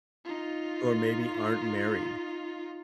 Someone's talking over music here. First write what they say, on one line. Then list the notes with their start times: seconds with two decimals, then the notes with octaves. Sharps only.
or maybe aren't married.
0.25 D#4 F4